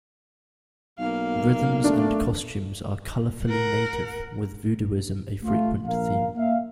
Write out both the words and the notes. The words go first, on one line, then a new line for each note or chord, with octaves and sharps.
Rhythms and costumes are colorfully native, with voodooism a frequent theme.
B1 A#3 F5
A3 D4
A#4 F#5
A3 F4
A#1 A#4 F5
A#3 E5 F5